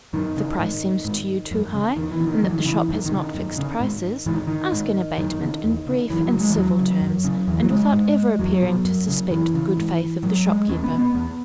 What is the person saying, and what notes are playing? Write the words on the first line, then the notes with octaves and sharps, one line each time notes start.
If the price seems to you too high, and that the shop has not fixed prices, ask an abatement in brief and civil terms, and without ever appearing to suspect the good faith of the shopkeeper.
F#2 D#3
C#3
G#2
G#2
F#2
C#3
E2 D#3
E3
B2
D#3
F#2 F#3
E3
D#3
C#3 E3
F#2 D#3
D#3
C#3
F#2
C#3
G#2
G#2 E3
D#3
D#3
G#2
F#2 D#3
C#3
E2
C#3
F#2 E3
F#3
C#3
G#3
E3
E2 F#3
C#3
F#2
C#3
E2 E3
F#3
C#3 G#3
G#2
E2 F#3
B2
F#2
C#3
F#2 E3
C#3
G#2
G#2 F#3
G#3
E2 C#4
B3
B2
B3
E2 B3